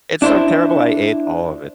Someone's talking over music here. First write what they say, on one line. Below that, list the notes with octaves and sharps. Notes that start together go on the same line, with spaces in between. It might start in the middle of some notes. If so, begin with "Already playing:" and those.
It's so terrible, I ate all of it.
D4 E4 C5